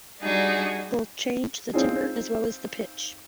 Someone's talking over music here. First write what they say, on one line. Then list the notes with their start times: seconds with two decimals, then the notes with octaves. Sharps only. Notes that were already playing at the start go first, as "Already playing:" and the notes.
Both change the timbre as well as the pitch.
0.22 G3 D4 D#4 F#4 G#4
1.74 C4 D#4 F4 G#4